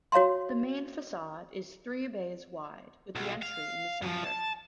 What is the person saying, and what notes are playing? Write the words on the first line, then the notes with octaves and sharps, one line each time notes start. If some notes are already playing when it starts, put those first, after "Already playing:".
The main facade is three bays wide with the entry in the center.
F#4 C#5 F5 A#5 C6
B1
F5
F#2 F3
A5